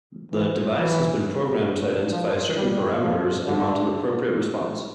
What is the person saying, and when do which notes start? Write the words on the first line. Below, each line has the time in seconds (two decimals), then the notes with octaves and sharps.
The device has been programmed to identify certain parameters and mount an appropriate response.
0.32 E3
0.77 E3
2.11 F3
2.56 G3
3.02 F3
3.47 D3